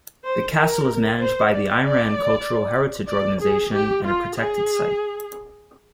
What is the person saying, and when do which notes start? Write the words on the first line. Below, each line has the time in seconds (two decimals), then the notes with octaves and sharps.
The castle is managed by the Iran Cultural Heritage Organisation and a protected site.
0.24 C5
0.56 A#4
1.20 C5
1.51 D5
1.83 D5
3.09 D5
3.41 G#4
3.74 G4
4.06 F4
4.36 G#4